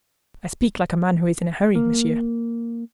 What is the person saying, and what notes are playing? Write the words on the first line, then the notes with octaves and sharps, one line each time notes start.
"I speak like a man who is in a hurry, monsieur."
A#3